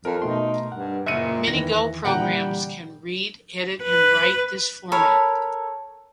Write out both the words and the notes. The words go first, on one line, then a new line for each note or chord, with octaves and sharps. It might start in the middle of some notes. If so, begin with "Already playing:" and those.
Many Go programs can read, edit, and write this format.
F2 A#4
B2 A3 D#4 C6
G2 F#5
F#1 A#2 E5 C#7 D#7
E2 D#3 E3 A#6
A#2 D3 E3 G3 F#5 G5 A#5
B4
A4 A#4 C#5 B5